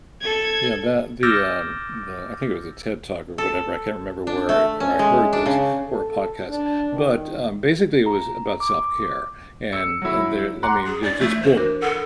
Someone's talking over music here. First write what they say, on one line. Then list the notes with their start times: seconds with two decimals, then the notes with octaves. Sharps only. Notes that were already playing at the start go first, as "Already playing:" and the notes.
Yeah. That the, um, the, uh, I think it was a TED Talk or whatever, I can't remember where I-where I heard this, or a podcast. But, um, basically, it was about self-care, and, uh there I mean, you just boom.
0.21 A4 G#6
1.23 D6 E6 F6 G6 A6 A#6
3.38 A4
4.27 D4
4.49 A3
4.80 C#4
4.99 G#3
5.33 D4
5.46 C#3
5.87 A4
6.49 D4
6.93 D#3
8.06 A#5
8.60 D6
9.73 E6 C#7
10.02 F#3 E4
10.63 F#5 A#5 C6 D6 F#6
10.86 G#4
11.03 E2 D4 D5
11.20 E3 A3 E6
11.42 C5
11.57 D4 F#4 A#4
11.82 A4 F#5